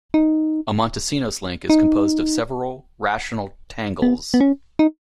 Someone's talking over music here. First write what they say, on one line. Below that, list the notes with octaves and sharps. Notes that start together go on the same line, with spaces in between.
A Montesinos link is composed of several rational tangles.
D#4
D#4
B3
B3
C#4
D#4